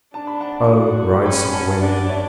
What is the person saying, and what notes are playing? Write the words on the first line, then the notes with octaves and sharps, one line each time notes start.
Oh, rights of women!
D4 A5
B5
F#5 A5
F#4
C#4 G5 B5
B5
F#5 A5
D4 D5 F#5
C#5 E5